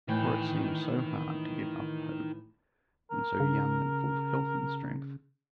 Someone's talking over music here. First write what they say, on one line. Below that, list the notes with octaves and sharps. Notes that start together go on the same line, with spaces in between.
For it seemed so hard to give up hope when so young and full of health and strength.
A2 D#3 E3 G5
A#4
C#3